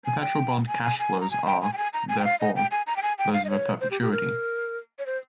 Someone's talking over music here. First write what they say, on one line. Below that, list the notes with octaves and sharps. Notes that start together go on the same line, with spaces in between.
Perpetual bond cash flows are, therefore, those of a perpetuity.
G#5
G5
G#5
G#5
G#5
A#5
G#5
G5
G#5
G5
G#5
A#5
G#5
G5
F5
D#5
G5
G#5
A#5
G5
G#5
G5
F5
D#5
C#5
C5
G4
G4
A#4
C#5
C5